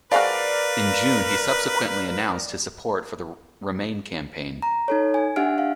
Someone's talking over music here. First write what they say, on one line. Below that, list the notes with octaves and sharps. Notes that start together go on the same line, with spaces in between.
In June, he subsequently announced his support for the Remain campaign.
F3 G#3 F#4 A#4 B4 D5 F5
A#5
D#4 A4 C#5
G#5
D4 G4 E5 F#5 F6 D7
F5